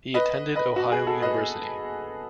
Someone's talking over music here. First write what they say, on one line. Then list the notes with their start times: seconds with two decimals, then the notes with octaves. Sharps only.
He attended Ohio University.
0.14 B4 D#5
0.56 B4 D#5
0.76 F#4
0.92 G#4
1.07 F#4 A4
1.22 B4 D#5